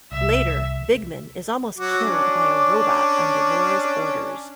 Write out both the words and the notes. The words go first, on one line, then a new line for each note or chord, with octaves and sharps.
Later, Bigman is almost killed by a robot on Devoure's orders.
C2 E5
F#3 F#4 D6
C#4 D4